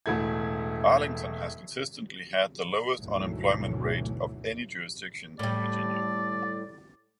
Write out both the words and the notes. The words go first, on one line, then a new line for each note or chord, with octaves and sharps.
Arlington has consistently had the lowest unemployment rate of any jurisdiction in Virginia.
E1 A2 A3 E4 G#6
G#1 D2 B2 E3 F#3 A3
A2 G3 D5